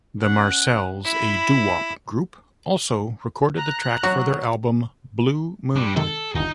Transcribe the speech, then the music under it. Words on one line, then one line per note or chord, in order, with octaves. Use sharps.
The Marcels, a doo-wop group, also recorded the track for their album "Blue Moon".
C#4 F#5
E4 B5
A#5 F#6
F#3 F#4
G3 D4
C3 D#3 G#3 A4
G1 D#2 D#4